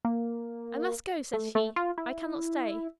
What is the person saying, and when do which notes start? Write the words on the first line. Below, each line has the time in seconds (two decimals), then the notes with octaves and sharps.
'I must go,' said he, 'I cannot stay.
0.05 A#3
1.33 A3
1.55 A3
1.76 F4
1.98 E4